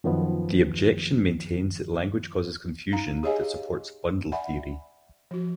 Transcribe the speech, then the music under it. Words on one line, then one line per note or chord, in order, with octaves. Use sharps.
The objection maintains that language causes confusion that supports bundle theory.
F#2 D#3 F3 B3
D#4 F5 A#5
G4 G#4 C#5 D#5 F5 G#5
D5 E5 F#5 G#5 B5
F3 F#4